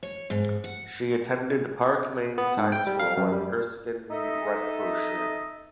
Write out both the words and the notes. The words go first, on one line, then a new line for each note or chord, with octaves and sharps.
She attended Park Mains High School in Erskine, Renfrewshire.
C#5
G#2
F#5
B3
G#2
G5
G3
F5
F#2
G3
D#4 A4 D#5 E5